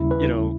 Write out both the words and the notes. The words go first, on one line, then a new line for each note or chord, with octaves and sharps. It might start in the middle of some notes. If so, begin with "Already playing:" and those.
you know,
Already playing: D#2 C#3 G3 C#4 E4
B4